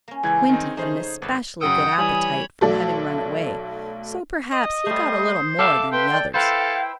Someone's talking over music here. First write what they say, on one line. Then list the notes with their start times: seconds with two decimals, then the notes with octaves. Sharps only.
Squinty had an especially good appetite, from having run away, so perhaps he got a little more than the others.
0.08 A#3 C#4
0.23 C#2 E3 G#3 E4 G#6
0.49 D#3 C4 D#4
0.77 C#3 F3 A3 D#4 G#4 C5
1.22 G#1 B4 F5 A5
1.61 F#2 C#3 F#5 G5 D#6 E6 G6
1.98 E3 G3 C#5 G#5 B5
2.61 B1 A3 F#4 A4 D5
4.52 D#5 D#6
4.87 G3 A3 C5
5.59 A4 E5 F5 D6
5.92 B4 G5 C6
6.11 D5
6.34 E4 A4 B4 C5 F5 G5